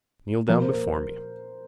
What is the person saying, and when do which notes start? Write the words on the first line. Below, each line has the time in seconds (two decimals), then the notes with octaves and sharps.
Kneel down before me.
0.48 A#2 F3 A#3 A#4
0.61 C5
0.74 A#4